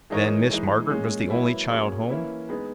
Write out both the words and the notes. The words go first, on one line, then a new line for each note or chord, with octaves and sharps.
"Then Miss Margaret was the only child home?"
E3 G#3 D#4 A#4 C#5
E3 G#3 D#4
A#2 G#3 C#4 G#4
F#3 A#3 E4 B4
F#3 A#3 C#4 G#4 C#5
E3 A#3 C#4 E4 B4
G#3 B3 D#4 G#4 B4